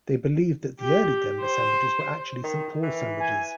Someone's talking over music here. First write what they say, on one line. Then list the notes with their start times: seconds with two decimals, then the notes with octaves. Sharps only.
They believed that the early Denver sandwiches were actually Saint Paul sandwiches.
0.80 G4
1.40 C5
2.43 D#3
2.83 E3
3.20 G#5